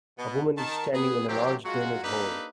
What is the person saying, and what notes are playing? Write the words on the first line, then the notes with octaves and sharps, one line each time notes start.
A woman is standing in a large drainage hole.
B2 B3
D#3 A5
B3 G#4
A2 E3 F#3 C4 G4
F#3 G#3 F4 F#4
A#3 D4 D#4 G4 A4 B4